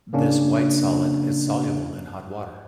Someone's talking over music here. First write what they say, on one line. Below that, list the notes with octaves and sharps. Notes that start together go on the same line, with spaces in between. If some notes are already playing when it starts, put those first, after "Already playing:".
This white solid is soluble in hot water.
C#3 A#3 C#4 D4